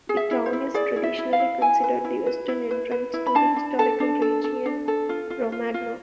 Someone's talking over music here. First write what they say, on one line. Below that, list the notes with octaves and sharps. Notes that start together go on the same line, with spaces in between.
The town is traditionally considered the western entrance to the historical region Romagna.
G#4
E5
E4
C5
E4
G#4 D5
E4
E5
E4
F5
E4
E4 G#5
B4
E4
B4
E4
B4
B4
E4
B5
D4 A5
D4
A4 A5
D4
A4
A4
D4
A4
F4
F4
F4
F4